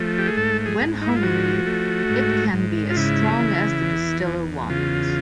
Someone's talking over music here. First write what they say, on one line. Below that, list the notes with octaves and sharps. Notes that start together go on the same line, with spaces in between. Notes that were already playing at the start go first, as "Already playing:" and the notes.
When homemade, it can be as strong as the distiller wants.
Already playing: F3 A3
G4
G#4
G#2 A4
G#4
G#2
D#4
E4
F4
F3 F#4
A3
G#2
G#2
F4
C#3 E4
E3
E2
E2
C#3 F4